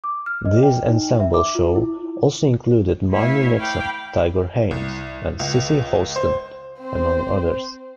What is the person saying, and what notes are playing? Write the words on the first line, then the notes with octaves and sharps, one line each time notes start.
This ensemble show also included Marni Nixon, Tiger Haynes, and Cissy Houston among others.
D6
F6
D#5
G5
D#4
E5
D6
F4
E4
A3 E4 B4 C#5 E5 F5
F5 G5 B5 D6 F6
C2
C#2
C5
C4 C5